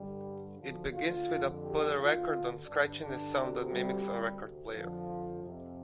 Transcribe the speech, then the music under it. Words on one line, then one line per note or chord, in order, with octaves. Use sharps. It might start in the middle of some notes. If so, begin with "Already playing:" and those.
It begins with a "put-a-record-on scratchiness" sound that mimics a record player.
Already playing: G2 D3 G3
D2 D3 F3
F4
F2 D3
G4
D2 D3 F4
G2 D3 D4
D4
D2 C3
G3
D2 C3
F2 D3 F3
F2 C3